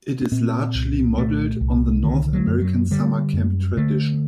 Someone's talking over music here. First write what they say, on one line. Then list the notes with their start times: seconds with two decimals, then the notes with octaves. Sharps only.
It is largely modeled on the North American summer camp tradition.
0.22 D4
0.32 A#2 C4
0.75 C2
1.18 A#2 A3
1.61 C2
2.03 D3 D#3
2.33 F#3
2.47 F#2
2.62 F#3
2.91 D3 G3
3.33 F#2
3.77 D3 A3